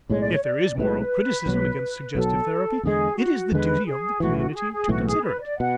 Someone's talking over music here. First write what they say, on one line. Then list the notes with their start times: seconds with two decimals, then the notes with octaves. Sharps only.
If there is moral criticism against suggestive therapy, it is the duty of the community to consider it.
0.09 B1 A2 G#3 C#5
0.20 D5
0.32 C#5
0.43 D5
0.78 B1 A2 G#3 B4
1.46 B1 B2 F#3
2.15 B1 B2 F#3 A4
2.83 E2 D3 G#3 G#4
3.17 F#4
3.52 E2 D3 G#3 B4
3.86 G#4
4.20 B1 A2 E3 F#4
4.38 F#4
4.50 F#4
4.54 G#4
4.72 G#4
4.89 B1 A2 E3 F#4
5.07 G#4
5.23 B4
5.41 D5
5.58 B2 F#5